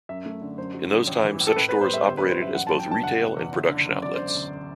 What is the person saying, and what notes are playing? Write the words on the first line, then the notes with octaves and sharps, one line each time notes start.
In those times such stores operated as both retail and production outlets.
F#2 E5
A3
D3
F#2 C5
F#3
D3
A1
E3
A2
A4
A2 B4
B4
B3
C5
G3 E5
G1 C5
B4
D3
C5
F#2 E5
A1 F#5
A5
F#3
G5
G2 A5
F#1 F#5
B2
E2
F#1
D3
F#2
E1 D5
D3 C5
D5
D2